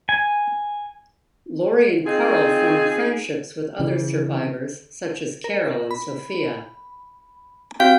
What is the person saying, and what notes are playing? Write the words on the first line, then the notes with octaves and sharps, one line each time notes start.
Lori and Carl form friendships with other survivors such as Carol and Sophia.
G#5
C4 D#4 F4 G#4
C#3 E3
A#4
B5
C4 F#4 F5 G5